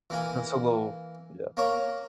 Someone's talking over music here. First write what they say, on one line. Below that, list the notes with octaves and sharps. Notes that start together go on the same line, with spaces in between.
That's a little yeah.
E3 A#3 G#5
A#3 C#5 A#5